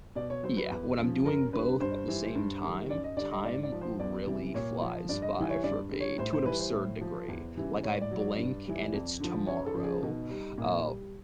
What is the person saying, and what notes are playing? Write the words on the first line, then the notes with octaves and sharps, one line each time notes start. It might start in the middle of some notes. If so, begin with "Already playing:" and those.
Yeah, when I'm doing both at the same time, time really flies by for me to an absurd degree, like, I blink and it's tomorrow, uh,
B2 D5
C#5
F#3 C5
B4
E2
C#3 F3
F#2 A#4
D3 G3 B4
G2 C5
E3 G3
G2
D#3 G3
F#2 D5
D#5
D3 G3 D5
D#5
G#2 D5
D5
F3
C5
E2 D5
C3 E3 G3
A#2 C#5
F3
G2 D5
D#5
E3 G3
C#5
G2 D5
D3 G3
C#5
A2 C5
C5
E3 G3 B4
C5
A2
F3
E2
C#3 E3 G3
A2 C#5
D5
F#3
D5
G2
E3 G3
F2
D3 F3
F#2 C#5
A4
C#3 F3
G#4
B2 D#4
G3
A#2
G3